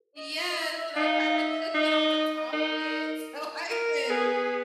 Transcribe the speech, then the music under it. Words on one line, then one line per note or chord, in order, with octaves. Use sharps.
Yes, and I tried to cook it on the top of it, so I could
D#5
E5
D#4 F5
E5
D#4 D#5
D#4 A#4
A#4
B3 G#4